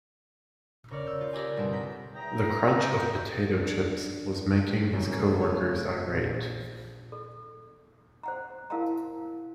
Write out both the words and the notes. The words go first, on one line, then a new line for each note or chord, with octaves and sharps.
The crunch of potato-chips was making his co-workers irate.
C#3 A#4 C#5 D5 F6
E6 G6
F4
G4 A#4 D5 G#5
G1 B2 C4 D#4 D7 E7
A#5 G6 B6
E2 E5 G5 A#5 D#6
D4
D#1 C2 F#2
C#3 A3 C#5 C#6 E6
A#1
A4
C5 F#5 A#5
E4 A#4 F5 F#5 A5 A#5